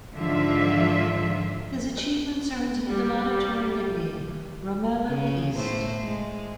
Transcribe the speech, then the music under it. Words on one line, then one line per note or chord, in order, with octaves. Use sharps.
His achievements earned him the laudatory nickname "Rommel of the East".
G#2 D3 D#3 F3 F4 E5
G3 G4
C#3
A2 A3 C5
G#3